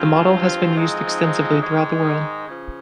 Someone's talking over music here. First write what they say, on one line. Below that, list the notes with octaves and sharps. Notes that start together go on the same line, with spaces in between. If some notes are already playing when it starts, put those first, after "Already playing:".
The model has been used extensively throughout the world.
Already playing: G2 F3 C4 F4
G#2 F3 G#3 C4 D#4
G#2 D#3 G#3 D#4
C#3 F3